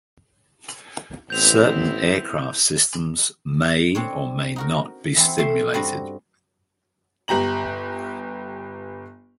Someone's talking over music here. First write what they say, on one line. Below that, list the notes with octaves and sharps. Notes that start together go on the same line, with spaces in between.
Certain aircraft systems may or may not be simulated.
A1 B3 C4 E4 G6 F7
C4 D4 C#5
D#4 F#4 A#4
E3 B3 C4
A3 C5 E5 C6
G2 C4 F#4 D5 D#5
G1 G4 A#5 F#7